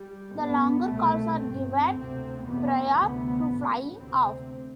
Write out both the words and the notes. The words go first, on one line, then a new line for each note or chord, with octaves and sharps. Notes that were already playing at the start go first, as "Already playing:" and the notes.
The longer calls are given prior to flying off.
Already playing: G3
A1 G2 B3
C2 B2 A3
G1 G2 C4
D2 C3 C4
F1 E2 C3 B3
D2 C3
A1 A2
D2 C3 C4